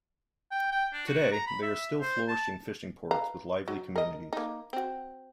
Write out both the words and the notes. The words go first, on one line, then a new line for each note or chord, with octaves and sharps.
Today, they are still flourishing fishing ports with lively communities.
G5
G5
D4
F#4
A#5
B5
E5
C5
A5
B4 F5 A#5
F#3
A#4 D#5
A#3 D#4
C4 F#4